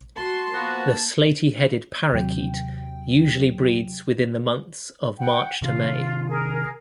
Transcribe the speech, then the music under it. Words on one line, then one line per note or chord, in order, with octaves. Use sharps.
The slaty-headed parakeet usually breeds within the months of March-May.
F#4 A5 C6
F3 A#3 B3 F#4
D#2 C3 F#3 G5
F#5 G5
C3 D#3 F4
G#4 A#4